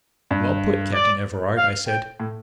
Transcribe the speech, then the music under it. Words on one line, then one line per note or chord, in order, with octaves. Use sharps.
"Well put, Captain Everard," I said.
G2
D5
F5
G5
A2